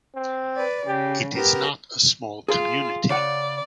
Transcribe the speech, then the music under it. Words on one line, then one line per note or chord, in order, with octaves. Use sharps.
It is not a small community.
C4
B4 D5
C#3 G4
B3 G4 A#4
F4 G#4
C#3 D5 F#5